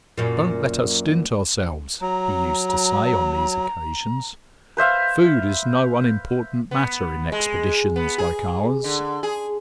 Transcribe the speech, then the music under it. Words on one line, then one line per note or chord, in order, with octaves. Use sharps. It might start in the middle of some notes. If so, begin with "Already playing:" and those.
"Don't let us stint ourselves," he used to say on these occasions; "food is no unimportant matter in expeditions like ours."
F#2 A#2
F#3 A#5
B4 C5 E5 F5
B3
G#3
B3
G#4
D3
G#4